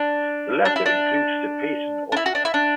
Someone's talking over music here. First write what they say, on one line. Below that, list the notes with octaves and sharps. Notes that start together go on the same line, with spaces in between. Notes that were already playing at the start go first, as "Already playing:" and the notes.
The latter includes the Payson Ophiolite.
Already playing: D4
D4
E4
D4
D4
E4
F#4
D4
E4
D4